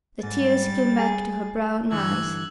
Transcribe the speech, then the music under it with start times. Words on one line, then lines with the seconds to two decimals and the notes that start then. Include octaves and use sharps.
The tears came back to her brown eyes.
0.23 G#2 G3 A6
0.99 G#4
1.92 G2 D3 E3 E6 F#6 G#6